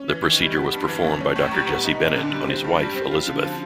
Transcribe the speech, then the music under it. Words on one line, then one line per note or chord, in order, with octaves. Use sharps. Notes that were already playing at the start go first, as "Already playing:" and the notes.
The procedure was performed by Doctor Jesse Bennett on his wife Elizabeth.
Already playing: C#4
E3
D#3
G3
B3
G2
E3
A3
C#4
A2
G3 A#5
B3
D#4
A#2
D3
G3
C4
G2
G3
C4
F4
D3
F3